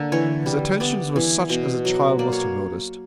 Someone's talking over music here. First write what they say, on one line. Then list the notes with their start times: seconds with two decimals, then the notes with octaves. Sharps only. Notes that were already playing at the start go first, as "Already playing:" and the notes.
His attentions were such as a child must have noticed.
Already playing: D3 A#3
0.12 E3 C#5
0.46 G3
0.80 B3 D5
1.16 E3
1.49 B2
1.85 F#3
2.19 A#3 D5
2.32 C#5